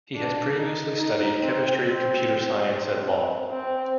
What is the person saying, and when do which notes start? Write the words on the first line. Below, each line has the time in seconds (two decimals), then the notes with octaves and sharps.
He has previously studied Chemistry, Computer Science and Law.
0.15 D4
0.57 D#4
0.99 D#4
1.41 C4
1.82 C4
2.66 C4
3.50 C4